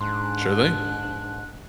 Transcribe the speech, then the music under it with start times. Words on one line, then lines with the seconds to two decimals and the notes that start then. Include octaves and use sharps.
Sure thing.
0.01 G#2 D4 C6 F#6